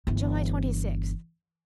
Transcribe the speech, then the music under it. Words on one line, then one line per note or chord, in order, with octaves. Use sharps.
July Twenty-sixth.
G1 E3